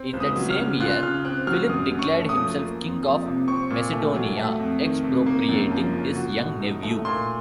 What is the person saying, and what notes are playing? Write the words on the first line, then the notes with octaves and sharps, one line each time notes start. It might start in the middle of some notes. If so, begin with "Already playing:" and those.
In that same year Philip declared himself king of Macedonia, expropriating his young nephew.
Already playing: C4
C#2
D#6
F#3
F6
C#3
F4 F#6
C#3 F6
C4 F#6
F#3 F6
F#2 D#6
F#2
C#6
A3
D#6
F3
A#3
F2
F3
C3
C4 C#6
A#2
A3
F#3
A3
F2
D#3
C3
A#3
F#2
F3
C#3
F#4
A2
D#4
A3
A#2 C6